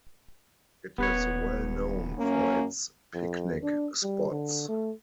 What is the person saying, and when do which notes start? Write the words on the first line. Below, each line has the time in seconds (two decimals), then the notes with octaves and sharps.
It is well known for its picnic spots.
0.98 D#1 B3 B4 C#5
2.19 F#2 A#3 C#4
3.14 F2
3.62 D4
4.02 G3
4.31 D3
4.68 A3